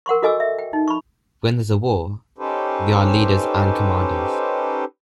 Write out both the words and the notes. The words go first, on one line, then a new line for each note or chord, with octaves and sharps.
When there’s a war, they are leaders and commanders.
A#4 F#5 C6 C#6
F#4 A4 D#5 G#5 D6 E6
E5
G5
D#4
B5 C#6
C#4 D#4 G4 A4 B4 C5